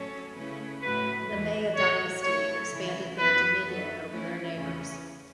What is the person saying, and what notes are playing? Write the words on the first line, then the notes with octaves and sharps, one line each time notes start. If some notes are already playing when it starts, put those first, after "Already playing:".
The Maya dynasty expanded their dominion over their neighbors.
Already playing: A2 F#3 C#4 A4 C#5
C#3 A3 C#4 E4 B4
A2 F#3 A3 F#4 B4
E2 E3 A3
A2 A3 F#4 C#5
F#3 A3 E4 A4 C#5
C#3 E3 C#4 E4
F#2 E3 B3 B4
F#3 B3 A4 E5
E3 A3 C#4 E4
E2 C#3 E3 C#4